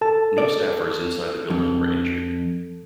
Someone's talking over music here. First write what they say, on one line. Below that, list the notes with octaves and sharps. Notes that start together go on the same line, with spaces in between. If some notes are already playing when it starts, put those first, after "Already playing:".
No staffers inside the building were injured.
A4 A5
D5
F2